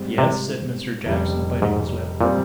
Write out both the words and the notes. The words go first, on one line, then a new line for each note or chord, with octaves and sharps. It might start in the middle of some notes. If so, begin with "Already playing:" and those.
'Yes,' said Mr. Jackson, biting his lip.
Already playing: G#2 G3 C4
C3
F1 F2 C#3 G3
G#2
A#2 G3 C4